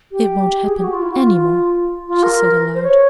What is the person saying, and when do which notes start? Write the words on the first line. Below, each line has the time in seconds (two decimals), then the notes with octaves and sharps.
"It won't happen ANY more," she said aloud.
0.12 G4
0.66 G#4
0.75 G4
0.84 F#4
0.93 F4
1.02 E4
1.12 F#4
1.17 F4
2.08 F4
2.23 A#4
2.75 C5
2.83 C#5